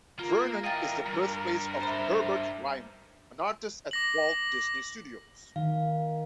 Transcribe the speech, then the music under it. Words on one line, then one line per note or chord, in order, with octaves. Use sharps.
Vernon is the birthplace of Herbert Ryman, an artist at Walt Disney Studios.
A#3 F4 A#4
E3 D#5 F5 G5 A6
G2
C5 E5 A#5 B5
D6 A#6 F#7
D#3 F5